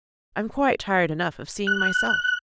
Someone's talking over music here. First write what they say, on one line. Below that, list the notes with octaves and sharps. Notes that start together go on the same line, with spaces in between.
I am quite tired enough of seeing myself.'
F#6